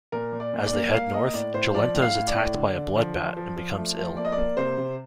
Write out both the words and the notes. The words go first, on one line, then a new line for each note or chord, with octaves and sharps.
As they head north, Jolenta is attacked by a "blood bat" and becomes ill.
A#2 A#4
A#2
D5
A#2
D5
A#3
A#3 F5
A#3 D#5
A2 D5
A2 C5
F3 D5
A2
F5
A2
D5
A2
D3
D3
F3
F3
F3
F3
A3
F3
A#3 D5
D#5
D5
A#3
C3 C5
C3